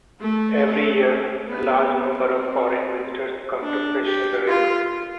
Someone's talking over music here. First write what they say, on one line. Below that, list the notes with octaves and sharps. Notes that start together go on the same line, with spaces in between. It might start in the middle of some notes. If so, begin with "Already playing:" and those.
Every year, a large number of foreign visitors come to fish in the river.
A3
B3
C4
D4
G4
F4